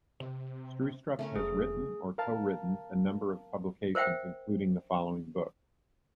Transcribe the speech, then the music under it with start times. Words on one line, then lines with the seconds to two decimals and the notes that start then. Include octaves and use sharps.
Stroustrup has written or co-written a number of publications including the following books.
0.20 C3
1.19 C#3 A3 C#4 A#4
1.36 F1 G#4
2.18 A#4 F5 A5
3.95 A#4 C5 E5 F#5 G5